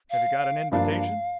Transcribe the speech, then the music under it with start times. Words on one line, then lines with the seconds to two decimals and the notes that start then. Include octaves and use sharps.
"Have you got an invitation?"
0.11 F5
0.71 G2 F3 A#3 D4 F5